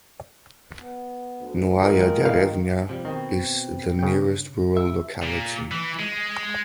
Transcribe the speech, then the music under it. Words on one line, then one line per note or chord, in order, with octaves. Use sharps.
Noaya Derevnya is the nearest rural locality.
B3
D2
D#3 G#3 F4 G#4 A#4
F5
C3 F3 G3
B2 D#3 C4
C#3 G5
E5
A#2
E3
G#3